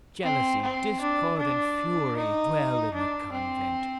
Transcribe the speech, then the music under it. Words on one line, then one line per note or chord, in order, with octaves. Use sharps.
Jealousy, discord, and fury, dwell in the convent.
C4
C4
D4
D4
D#4
D4
C4